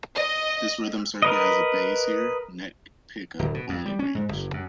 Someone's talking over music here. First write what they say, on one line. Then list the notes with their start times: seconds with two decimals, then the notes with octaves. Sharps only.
This rhythm circuit has a bassier, neck-pickup only range.
0.16 D#5
1.22 A#4 B4 D#5
3.39 D1
3.54 B2
3.69 F2
3.86 G3
3.99 C#4
4.15 G#2
4.29 F#1
4.54 F#2